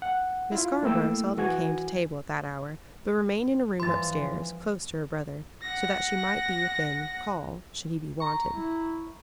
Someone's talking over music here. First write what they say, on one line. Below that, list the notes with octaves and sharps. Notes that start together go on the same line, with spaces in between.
Miss Scarborough seldom came to table at that hour, but remained in a room up-stairs, close to her brother, so that she might be within call should she be wanted.
F#5
E4 F4
A3 A#3 E4 G5 E6
E3 F#4 G#5 G#6
G2 E3 F3 C6 A6
F#5 A#6
A#5 C#6
E4